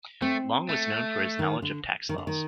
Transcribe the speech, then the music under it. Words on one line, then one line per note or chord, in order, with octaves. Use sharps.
Long was known for his knowledge of tax laws.
A3 C4
A3
D#3
D3
D#3
D3
D#3